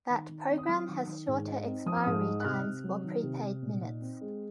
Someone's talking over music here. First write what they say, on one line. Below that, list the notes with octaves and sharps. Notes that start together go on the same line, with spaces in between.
That program has shorter expiry times for prepaid minutes.
D#3
D#3
C4
D#6
F#3 F6
D#3
D#3
G#2
D#4
C4
F3 D#6
F6
G#2 D#6
D#4
F#6
C3 F6
C3
F#3
D#3
C3
C3
A#2
D#4
C4
G#3